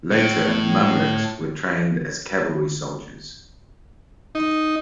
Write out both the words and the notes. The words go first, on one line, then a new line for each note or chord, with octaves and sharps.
Later Mamluks were trained as cavalry soldiers.
A2
D#4